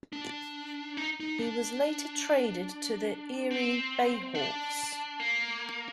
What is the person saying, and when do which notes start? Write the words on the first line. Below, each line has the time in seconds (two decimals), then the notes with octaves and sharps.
He was later traded to the Erie BayHawks.
0.13 D4
0.97 D#4
1.20 D#4
1.40 D4
3.51 C4
4.35 D4
5.20 A#3